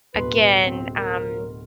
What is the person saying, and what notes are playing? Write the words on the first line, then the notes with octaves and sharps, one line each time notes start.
again, um,
D1 B2 B4 C6
C4
A#4